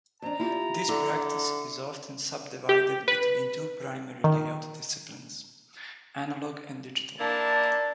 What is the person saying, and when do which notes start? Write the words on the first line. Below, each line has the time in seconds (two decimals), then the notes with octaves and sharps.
This practice is often subdivided between two primary layout disciplines: Analog and digital.
0.22 F2 D4 A#5
0.40 E4 F4 G4
0.89 D3 E4
2.69 G4
3.08 B4
4.24 D#3
7.20 A#3 D4 E4 A5